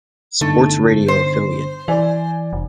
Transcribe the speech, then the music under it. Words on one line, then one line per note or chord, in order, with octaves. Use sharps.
Sports Radio affiliate.
G1 D3 A3 D#4
C5
E3 D5 G#5
F1